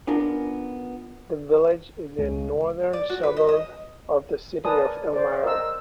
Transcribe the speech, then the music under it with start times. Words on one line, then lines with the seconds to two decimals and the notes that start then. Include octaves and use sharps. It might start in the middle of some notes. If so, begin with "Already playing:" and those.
The village is a northern suburb of the city of Elmira.
0.07 B3 C#4 D4 F4 A#4
2.18 C#2
2.93 D5
3.10 F#4
3.23 B4
3.37 D#5
3.49 D#5
4.65 A#4 B4 D5 G#5 A5 D#6
5.13 C5 D5
5.44 A#4 C5 D#5 E6